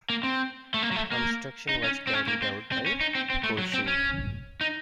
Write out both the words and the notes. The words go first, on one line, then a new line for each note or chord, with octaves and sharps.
Construction was carried out by Costain.
A#3
C4
A3
A#3
F#3
A3
A#3
D#4
C#4
C4
C#4
A#3
C4
C4
C#4
D#4
C4
C4
A3
F#3
C4
C#4
D#4